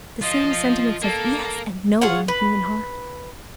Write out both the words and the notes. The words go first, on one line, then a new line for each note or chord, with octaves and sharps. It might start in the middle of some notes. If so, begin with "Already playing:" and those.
The same sentiment says "yes" and "no" in the human heart.
F3 F4 D#5
A#3 A4
F4 G#4 C#5 F#5
B4